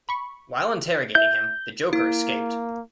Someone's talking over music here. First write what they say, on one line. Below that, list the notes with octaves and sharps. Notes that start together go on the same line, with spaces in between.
While interrogating him, the Joker escaped.
B5 C#6
E4 E5 G6
A#3 E4